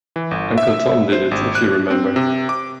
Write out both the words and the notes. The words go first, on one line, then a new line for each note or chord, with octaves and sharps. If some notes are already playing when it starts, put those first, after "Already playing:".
Uncle Tom did it, if you remember.
E3
G1
E5
C5
G#1
F#6
C4
C3
D6